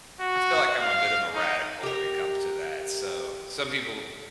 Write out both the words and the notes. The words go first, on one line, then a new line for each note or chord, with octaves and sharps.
I feel like I'm a bit of a radical when it comes to that, so, some people
F#4
F5
D#4
G4 A#4